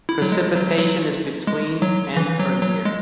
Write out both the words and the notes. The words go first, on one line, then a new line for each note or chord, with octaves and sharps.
Precipitation is between and per year.
E4
F#3
G#3
F#3
F#3
G#3
F#3
E3
F#3
F#3
G#3